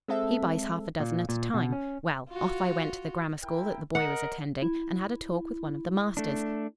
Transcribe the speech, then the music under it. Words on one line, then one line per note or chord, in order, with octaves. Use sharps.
He buys half a dozen at a time.' Well, off I went to the grammar school that the boy was attending, and had a talk with one of the masters.
G#3 C4 A4 E5
A#2
A#2
B2
C#4
F4 F#4
E4 A#4 G5
A#4 D#5 F#5
E4
A3 D4